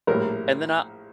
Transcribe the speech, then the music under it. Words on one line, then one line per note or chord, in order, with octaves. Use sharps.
and then, uh
A#1 A2 G3 A#4